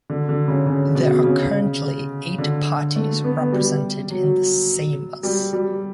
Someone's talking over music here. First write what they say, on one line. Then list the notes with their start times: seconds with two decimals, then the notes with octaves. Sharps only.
There are currently eight parties represented in the Seimas.
0.10 D3
0.29 D3
0.48 C#3
0.66 C#3
0.95 B2
1.24 C#3
2.38 D3
2.96 A3
3.24 B3
3.53 G3
4.10 F#3
5.23 G3
5.53 G3